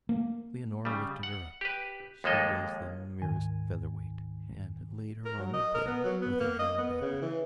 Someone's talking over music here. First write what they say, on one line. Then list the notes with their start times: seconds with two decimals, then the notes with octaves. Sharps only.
Leonora lifted her up--she was the merest featherweight--and laid her on the bed with her hair about her.
0.09 A#3
0.85 C#3 G3
1.23 F#5
1.61 G4 B4
2.24 D#2 F3 G#3 A#3 A4 D#5
3.22 D2 G#2 D#3 G#5
5.25 A#4
5.39 F#3
5.53 D#5
5.75 A#4
5.87 B3
6.04 F#3
6.21 B3
6.40 A#3
6.59 D#5
6.78 B3
7.01 C#3
7.22 E3